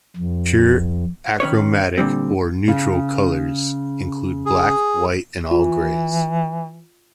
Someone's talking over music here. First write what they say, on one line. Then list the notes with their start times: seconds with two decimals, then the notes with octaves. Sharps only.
Pure achromatic, or "neutral" colors include black, white and all grays.
0.17 F2
1.40 D#3 C#4 B4 C#5
1.98 A#2 D3 G3 C4
2.68 C#3
4.46 G#4
5.51 E3 F4